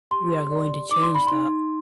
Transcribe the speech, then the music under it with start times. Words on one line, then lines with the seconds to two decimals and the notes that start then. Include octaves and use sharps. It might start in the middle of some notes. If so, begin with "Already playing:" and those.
We are going to change that.
0.11 G4 C6
0.51 D5
0.91 D#4 D6
1.03 C6
1.15 B5
1.27 D#4 C6